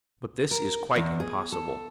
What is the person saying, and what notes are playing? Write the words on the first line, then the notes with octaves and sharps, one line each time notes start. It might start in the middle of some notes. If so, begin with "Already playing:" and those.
But this is quite impossible.
A#4
E2
G#4
A4